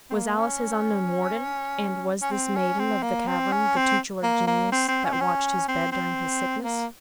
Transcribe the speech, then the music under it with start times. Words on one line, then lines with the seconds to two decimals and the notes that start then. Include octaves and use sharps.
Was Alice his unknown warden, and was this maiden of the cavern the tutelar genius that watched his bed during his sickness?
0.10 C4
0.14 A#3
0.39 C#4
2.22 C#4
2.31 C4
2.55 C#4
2.79 C4
3.03 A#3
3.28 C4
3.52 C#4
3.76 C4
4.23 A#3
4.47 A#3
4.72 C4
4.88 C4
5.04 C#4
5.12 C4
5.20 C#4
5.68 C4
5.92 C4
6.64 A#3